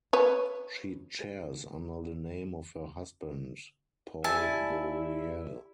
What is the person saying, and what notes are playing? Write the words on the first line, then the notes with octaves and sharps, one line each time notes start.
She chairs under the name of her husband, Paul Bouïrel.
B4 C#5
E4 G4 D5 E5 G#5 A5